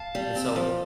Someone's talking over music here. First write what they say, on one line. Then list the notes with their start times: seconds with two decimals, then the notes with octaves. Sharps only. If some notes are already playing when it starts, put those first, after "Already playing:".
And so,
Already playing: F5 A5
0.15 G3
0.35 C4
0.56 F3